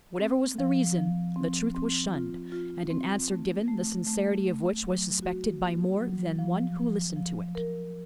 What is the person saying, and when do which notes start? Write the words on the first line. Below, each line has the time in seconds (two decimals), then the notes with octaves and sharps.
Whatever was the reason, the truth was shunned; and an answer given, the sincerity of which was suspected by more than one who listened to it.
0.20 C4
0.58 F3
0.97 F3
1.36 C4
1.74 C4
2.14 F4
2.52 F4
2.90 C4
3.30 A3
3.68 A3
4.07 A3
4.46 A3
4.84 F#3
5.22 F#4
5.62 A#3
6.00 F#3
6.39 F3
6.77 F3
7.16 F3
7.55 A#4